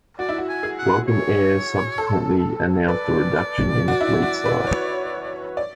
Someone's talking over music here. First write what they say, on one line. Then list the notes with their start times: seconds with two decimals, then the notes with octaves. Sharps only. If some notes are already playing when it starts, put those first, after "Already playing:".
Welcome Air subsequently announced a reduction in the fleet size.
0.18 F#4 D5
0.29 E4
0.38 F#4
0.49 G#5
0.63 G#4
0.79 F#5
1.08 C#5
1.98 A4
2.88 B4 D5
3.88 F#4
4.01 E4
4.23 F#4
4.45 B4
4.67 C#5
5.57 D5